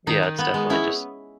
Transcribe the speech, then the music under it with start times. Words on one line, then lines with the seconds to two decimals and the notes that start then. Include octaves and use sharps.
yeah, it's definitely just
0.07 D#3 D#4
0.23 D#3
0.38 B3
0.54 G#3
0.70 C#4 E4